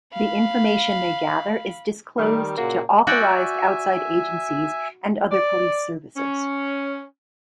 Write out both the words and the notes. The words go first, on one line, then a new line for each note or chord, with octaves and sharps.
The information they gather is disclosed to authorised outside agencies and other police services.
F5 B5
D#3 G3
A#2 C#3 A#3 F#4
F#4 D5 E5 G5 G#5
D5
C#4